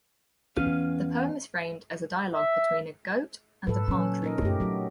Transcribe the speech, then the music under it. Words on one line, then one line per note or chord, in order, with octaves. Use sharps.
The poem is framed as a dialogue between a goat and a palm tree.
E2 C#4 B4 F5
E5
G#2 A4 B4
A#2 F#3 C#4
D#4 A#4 D#5
F#2 A3 E4 G4
F#3 D4 F#4